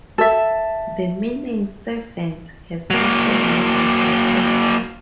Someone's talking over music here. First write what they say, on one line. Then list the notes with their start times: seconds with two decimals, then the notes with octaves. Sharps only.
The meaning "servants" has also been suggested.
0.18 A4 E5
2.90 F#3 A#3